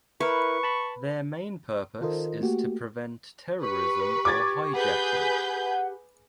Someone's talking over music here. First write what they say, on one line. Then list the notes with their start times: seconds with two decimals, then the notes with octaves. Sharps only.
Their main purpose is to prevent terrorism or hijacking.
0.20 E4 A#4 B4 C#6
0.63 A5 B5
2.01 D#3 F4 A4 A#4 C5 D#5
2.40 A3 A#3 F#4 G4
3.61 G4 B4 C#6
4.25 D6 G#6 A6
4.74 G#4 B4 F#5 G6